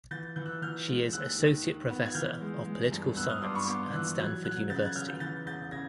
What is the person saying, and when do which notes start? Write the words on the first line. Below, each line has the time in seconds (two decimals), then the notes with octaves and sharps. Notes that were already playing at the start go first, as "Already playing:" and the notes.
She is Associate Professor of Political Science at Stanford University.
0.11 E3 G6 A6
0.36 E3 G6
0.46 E6 F#6
0.62 E3 F6 G6
0.87 G#3
1.12 D#2 E6 F#6
1.39 D#3
1.64 D#3
1.89 B3
2.06 G#6
2.15 E3 F6 G6
2.41 G#3
2.66 G#3
2.91 G2
3.17 B3 E6 F#6
3.29 D#6 F6
3.42 G2 C6 D6
3.55 B5 C#6
3.68 B3 C6 D6
3.93 E3 E6 F#6
4.19 F#3 F#6 G#6
4.44 F#3 F#6 G#6
4.70 C#3 G6 A6
4.82 F#6 G#6
4.96 C#3 F6 G6
5.08 F6 G6
5.20 E3 G6 A6
5.46 E1 G6 A6
5.71 C#3 G#6 A#6